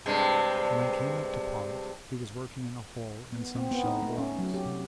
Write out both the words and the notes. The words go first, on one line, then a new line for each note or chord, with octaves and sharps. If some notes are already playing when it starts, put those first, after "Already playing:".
When I came up to Pont he was working in a hole in some shell rocks.
G2 C3 G#3
B3
C4
B3
D#4
A3
C#4
F#3
G4
C3